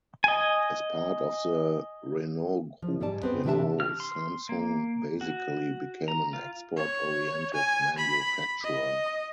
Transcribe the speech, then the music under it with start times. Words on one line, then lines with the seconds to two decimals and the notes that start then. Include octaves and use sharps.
As part of the Renault group, Renault Samsung basically became an export-oriented manufacturer.
0.24 D#5 G#5
2.82 F3
3.00 G#2 G3 G#4 D5 A5
3.22 B3 C4 G#4 B4
3.45 C3 E3 D4 G4 E5 A5
3.80 F6
4.00 C6
4.49 A#3
5.21 F#4
6.08 A#5
6.33 F4
6.76 C#5
7.54 G#5
7.98 B5
8.64 D#5